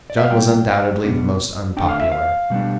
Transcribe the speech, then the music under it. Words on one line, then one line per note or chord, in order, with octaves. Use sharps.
John was undoubtedly the most unpopular.
D5
E5
F5
B2 G3 B3 G5
B2 B3 D4
D3 A3 D4 G5
F5
E5
F5
B2 G3 B3 D4